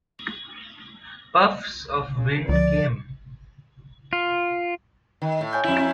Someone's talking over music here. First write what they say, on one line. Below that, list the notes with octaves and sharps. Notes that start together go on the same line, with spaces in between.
Puffs of wind came.
C#3
C#2 D3 F3 D5
F4
D#3
A2
C#5 G#5 G6
F2 E4